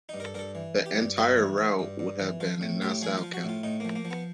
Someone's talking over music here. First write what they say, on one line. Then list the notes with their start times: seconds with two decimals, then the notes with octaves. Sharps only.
The entire route would have been in Nassau County.
0.09 G2 D#4
0.20 A#4
0.24 A4
0.34 G2 A#4
0.39 A4
0.55 E3
0.76 E3
0.86 G4
0.96 G2
1.17 G2 F#4
1.37 E3
1.58 E3
1.79 G2
1.99 G2
2.20 E3
2.40 F3 F4
2.61 A2
2.81 A2 G4
3.02 F3 G#4
3.18 F4
3.23 F3
3.34 F#4
3.44 A2
3.49 F4
3.64 A2 D#4
3.80 F3 A#3
3.95 A#3
4.05 F3
4.11 B3